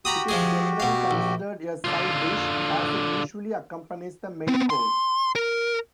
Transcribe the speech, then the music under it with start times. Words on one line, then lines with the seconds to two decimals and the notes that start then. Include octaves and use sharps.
It is generally considered a side dish, as it usually accompanies the main course.
0.05 F#4 G4 A#5 B5 D#6
0.29 F3 G#3 G#4
0.80 B2 F5
1.11 A#1
1.84 D3 F4
4.47 B3 C4
4.70 C6
5.35 A#4